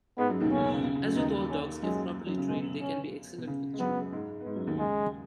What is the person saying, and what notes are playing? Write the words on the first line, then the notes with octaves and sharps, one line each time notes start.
As with all dogs, if properly trained, they can be excellent with children.
G#2 G#3 B3
F#2 F#3
D#2 D#3
B2
C#3 C#4
B2
C#3
C#3
C#3
F#2 F#3
D#2 D#3 D#4
C#4
F#2 F#3 G#3
F#2 F#3
C#3
B2 G#3
C#4
B2
C#3
G#3
F#2 F#3 B3
G#2 G#3
B3
G#2 G#3
F#2 F#3
D#2 D#3
C#3 G#3